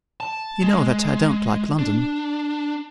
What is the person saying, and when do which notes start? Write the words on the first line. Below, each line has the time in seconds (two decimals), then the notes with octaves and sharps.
You know that I don't like London.
0.20 A5
0.62 G#3
1.79 D4